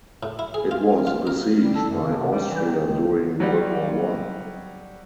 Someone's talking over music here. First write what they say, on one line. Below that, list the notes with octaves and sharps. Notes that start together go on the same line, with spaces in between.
It was besieged by Austria during World War One.
A2
E4
G#4
F4
F4
A#4
G3
A4
F#2
C#3
C3
G3
E3
D#3
C#2
F#3 G3